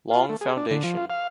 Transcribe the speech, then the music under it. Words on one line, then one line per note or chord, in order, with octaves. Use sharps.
Long Foundation.
F4
A3
G#4
D4
D3
F3
F4
F5